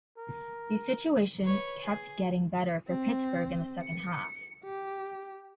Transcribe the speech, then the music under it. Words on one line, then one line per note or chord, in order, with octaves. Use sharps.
The situation kept getting better for Pittsburgh in the second half.
A#4
B4 C#5
G#4
C4
C#7
G4